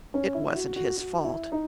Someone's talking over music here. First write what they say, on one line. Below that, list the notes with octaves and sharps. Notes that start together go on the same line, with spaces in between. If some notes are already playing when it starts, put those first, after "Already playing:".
It wasn't his fault.
C#4
E4
F#4
F#4
F#4
E4
D#4